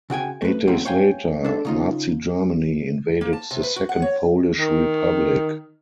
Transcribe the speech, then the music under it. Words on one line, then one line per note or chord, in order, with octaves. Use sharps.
Eight days later, Nazi Germany invaded the Second Polish Republic.
C#3 F#4 G5 G#5
A3 B4
E2 A3 A#3 C4 C#4 E4
C#5 F5 G5 G#5
D4 A4
C#3 D#4 F4
A#3
A5
C3
B4
F#4
F#5
C#5
D#3